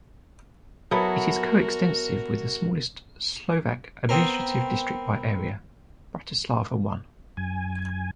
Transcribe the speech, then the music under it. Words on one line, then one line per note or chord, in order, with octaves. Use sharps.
It is coextensive with the smallest Slovak administrative district by area, Bratislava One.
F#3 B3 E4 F#4 A4 A#4 C#5 D#6
B3 C4 A#4
F#2 G#5